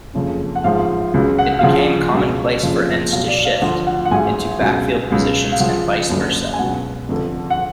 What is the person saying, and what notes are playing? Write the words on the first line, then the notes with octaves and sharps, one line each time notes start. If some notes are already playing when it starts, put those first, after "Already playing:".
It became commonplace for ends to shift into backfield positions and vice versa.
F#1 F2 C#3
F#5
A1 G#2 F3 F5
C#2 C#3 F#3
F#5
F5
D2 C#3 F3 F#5
C#2 B2 F#3
F#1 F2 C#3 F3
B1 B2 F#3 F5
D5
F5
D2 D3 F3 F#5
F#5
F#5
A1 G#2 F#3 G#5
C#2 B2 F#3
C#2 B2 F#3
F5
C#2 C#3 F3 F#5
F#1 F#2 D3
G#5
C#2 B2 F#3 F#5
F1 F2 D3
F#5